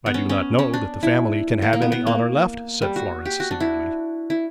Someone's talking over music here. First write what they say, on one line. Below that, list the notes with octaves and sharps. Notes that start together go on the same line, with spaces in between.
"I do not know that the family can have any honor left," said Florence, severely.
B3
C#4
C#4
C#4
D4
E4
A#3
A#3
B3
B3
A#3
G3
F#4
G4
F#4
D4
E4
E4